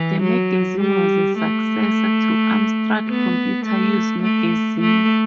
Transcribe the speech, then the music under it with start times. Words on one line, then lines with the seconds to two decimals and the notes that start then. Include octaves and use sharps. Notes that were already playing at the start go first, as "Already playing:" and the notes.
The magazine was a successor to "Amstrad Computer User" magazine.
Already playing: E3
0.23 F#3
0.80 G3
1.38 A3
3.09 B3
3.66 A3
4.23 A3
4.81 A3